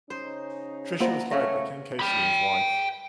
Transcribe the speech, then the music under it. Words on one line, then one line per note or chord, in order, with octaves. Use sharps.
Tricia was hired by Ken Casey and his wife.
C#3 C#4 D#4 C5
D2 A#3 B3 F4 C5 A#5
C#3 A3 C#5 A#6
G5 B5